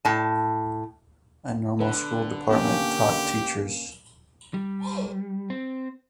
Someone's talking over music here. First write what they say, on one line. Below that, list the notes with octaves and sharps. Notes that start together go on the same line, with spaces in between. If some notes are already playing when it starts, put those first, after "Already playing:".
A normal school department taught teachers.
A2 A5
D3 B4
A#3 C#4 G4
G3
C4